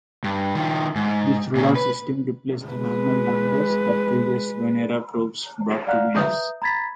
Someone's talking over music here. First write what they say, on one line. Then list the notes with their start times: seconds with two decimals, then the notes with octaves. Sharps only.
This radar system replaced the normal landers that previous Venera probes brought to Venus.
0.24 G2
0.55 D#3 F3
0.96 G#2
1.55 A#2 C#3
1.76 B4
2.70 G#3 B4
5.87 D5 F5 F#5 A#5 F6 F#6
6.16 B4 E5 A#5 D#6 G6
6.62 A#5 B5 G#6 A6 B6